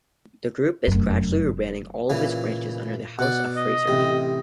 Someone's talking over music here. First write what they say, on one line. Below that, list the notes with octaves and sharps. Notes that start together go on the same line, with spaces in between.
The group is gradually rebranding all its branches under the House of Fraser name.
F1 F#2
A#2 C#3 E3
B2 D5 F#5
D#5
A1 C3